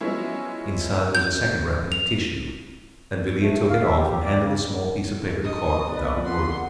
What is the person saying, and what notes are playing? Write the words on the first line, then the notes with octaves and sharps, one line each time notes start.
Inside was a second wrapping of tissue, and Villiers took it off and handed the small piece of paper to Clarke without a word.
F3 F#3 G#3 B3 C#4 E4
G6
F7
A3
A2
F5
E5
G4
D5
C#3
D#5
A#3 B3 B4 D5
F#5 C6